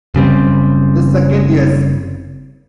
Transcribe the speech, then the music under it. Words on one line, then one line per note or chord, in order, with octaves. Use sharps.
The second, Yes!
F#1 C#3 G3 C4